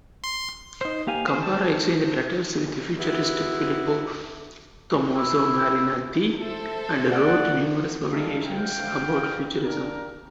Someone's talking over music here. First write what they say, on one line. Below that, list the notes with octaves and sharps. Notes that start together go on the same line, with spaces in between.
Kambara exchanged letters with futurist Filippo Tommaso Marinetti and wrote numerous publications about futurism.
C6
D#4 C5
A#3 G4 F5 G#5
C5
C5 A5
G#3 B3 E4 F#4 G4
E4
A4 C5 E5
A#3 F#4 D5 F#5
G3 G#3 E4 A4 A#4 F5
D2 F5 G5
A#3 D4 G4 A#4